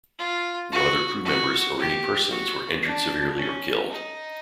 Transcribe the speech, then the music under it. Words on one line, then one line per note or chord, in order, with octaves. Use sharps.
No other crew members or any persons were injured severely or killed.
F4
F#4
F#4
G4
F#4
D4
C#4
D#4